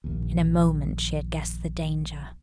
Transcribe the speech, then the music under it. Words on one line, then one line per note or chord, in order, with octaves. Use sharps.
In a moment she had guessed the danger.
A#1 D#2